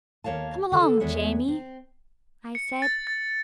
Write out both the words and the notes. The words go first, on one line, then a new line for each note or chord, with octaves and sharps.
"Come along, Jamie," I said.
D#2 A#3 C#5 F5 A5
D3 A4
E2 G#3 B3 C#5 E5
C4
C#7
A6
A6